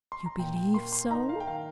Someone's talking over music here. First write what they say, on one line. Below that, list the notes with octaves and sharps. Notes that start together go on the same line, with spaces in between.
"You believe so?"
C6
A#5
A#2 G5
G5
A#3 C6
C6
D#4 A#5
F5
G5
D#3 F5